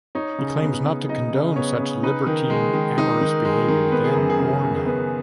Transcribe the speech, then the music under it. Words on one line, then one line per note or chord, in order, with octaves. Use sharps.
He claims not to condone such libertine, amorous behavior then or now.
D#4 C#5
C#3
B3
C#3
D#4 D#5
C#3
B3 C#5
C#3
D#4 B4
D#3
G#3
D#3
D#4
D#3
G#3
D#3
B3 B4
G#4
F#2
G#4
C#3
F#2
G#4
B3 B4